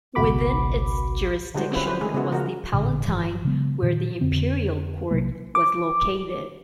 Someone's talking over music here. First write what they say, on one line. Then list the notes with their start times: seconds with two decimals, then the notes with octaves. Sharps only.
Within its jurisdiction was the Palatine where the imperial court was located.
0.15 G#1 C#2 B2 F#4 B5 D6
1.54 D3 G3 G#3 F#4 C5
1.71 G3 C4 C#4 E4 F4 B4
1.86 F#3 E4 B4 C5
2.01 D#3 G#3 A3 G#4
2.14 C#3 G#3 B3 E4 F#4
2.32 C#3 E3 F3 F#4 A#4
2.73 A1 A#2 D3
3.05 G1 E3
3.45 C#3 F#3 G#3 B3
3.82 A#2 D#3 E3
4.21 F2 D3 C4
5.11 B1 C3 F#3 A#3
5.55 D6